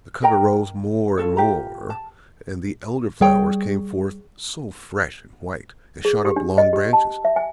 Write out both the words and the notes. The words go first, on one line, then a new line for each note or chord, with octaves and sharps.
The cover rose more and more; and the Elder-flowers came forth so fresh and white, and shot up long branches.
A#4 D#5 G5 A#5
F4 A4 C#5
F4 G4 A#5
A5
G3 G#4 C#5 G5
G#4
G4
D4
D#5
G4
A5
E5
G#5